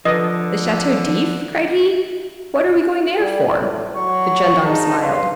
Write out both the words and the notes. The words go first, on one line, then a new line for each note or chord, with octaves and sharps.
"The Chateau d'If?" cried he, "what are we going there for?" The gendarme smiled.
D3 F3 B4 D#5
G3
A2
F#3 C#6
G2 D#4 G#4 A5
B4 F5 C6